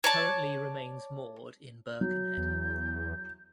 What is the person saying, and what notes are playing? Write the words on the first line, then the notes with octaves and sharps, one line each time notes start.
Currently remains moored in Birkenhead.
C#5 D5 A5
F#3 G6
E2